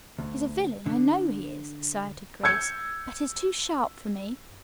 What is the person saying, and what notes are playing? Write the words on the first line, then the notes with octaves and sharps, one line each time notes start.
"He's a villain, I know he is," asserted Grace, "but he's too sharp for me."
D2
D3
E6 G6 G#6 C#7